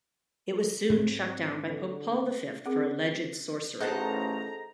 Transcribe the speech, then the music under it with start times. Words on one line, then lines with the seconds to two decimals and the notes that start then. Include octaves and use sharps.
It was soon shut down by Pope Paul the Fifth for alleged sorcery.
0.89 G#2 C4 D4
1.66 D3
2.66 C4 G#4 A#4
3.80 A1 D#4 G#4 A4 C5 F#5 A5 A#5